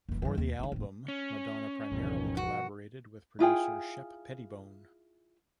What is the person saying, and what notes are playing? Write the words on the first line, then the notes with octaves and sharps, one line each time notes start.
For the album, Madonna primarily collaborated with producer Shep Pettibone.
F#1 E3
G2 E3
D#2
G#3 D#4
D#1 A1
C#4
G#1 E2 B2 D#3 F3 G3
F#4
E4 F4 G#4 G5